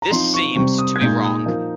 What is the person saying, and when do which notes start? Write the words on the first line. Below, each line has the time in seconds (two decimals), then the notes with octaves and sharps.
This seems to be wrong.
0.02 A#5
0.11 F3 C4 D#4 C6
0.34 C#6
0.55 C3 G3 C4 C#6
0.78 D#6
0.96 G#6
1.01 A#2 G#3 D#4 G6
1.24 D#6
1.46 F3 A#3 D#4